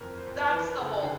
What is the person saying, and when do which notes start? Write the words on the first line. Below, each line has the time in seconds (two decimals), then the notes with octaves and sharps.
that's the whole th
0.01 F2 A#4
0.18 C5
0.26 F2
0.35 B4
0.51 E3 B4
0.68 A#4
0.77 C#3
0.85 A4
1.02 D3 G#4